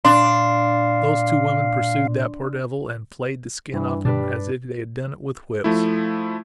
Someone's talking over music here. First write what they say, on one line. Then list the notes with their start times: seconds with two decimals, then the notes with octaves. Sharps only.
Those two women pursued that poor devil and flayed the skin off him as if they had done it with whips.
0.05 A#2 D4 F5 C6
3.74 G2 E3
4.05 B2 G3 D4 B4
5.64 F3 A3 E4